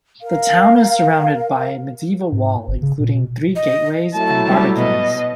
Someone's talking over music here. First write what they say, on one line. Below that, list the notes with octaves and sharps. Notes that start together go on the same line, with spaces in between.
The town is surrounded by a medieval wall including three gateways and barbicans.
A#4 F5
G#2
G1
C#3
A#2
B2
D#5
F#3 A3 E4 A5
G3
B2 D#5